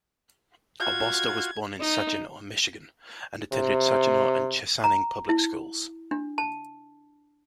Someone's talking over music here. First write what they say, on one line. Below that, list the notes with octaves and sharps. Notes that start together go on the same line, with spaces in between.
Albosta was born in Saginaw, Michigan and attended Saginaw and Chesaning public schools.
F4 F#4 G#6
D#4
C3
A#5
E4
D4
A5